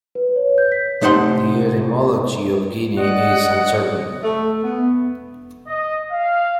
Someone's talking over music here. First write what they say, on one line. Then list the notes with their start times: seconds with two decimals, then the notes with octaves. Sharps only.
The etymology of "Guinea" is uncertain.
0.15 B4
0.36 C#5
0.58 G6
0.72 B6
1.01 C3 A3 D#4 C5 F#5 C6
2.97 D5 D#5 F#5
4.23 A3
4.64 B3
5.67 D#5
6.10 F5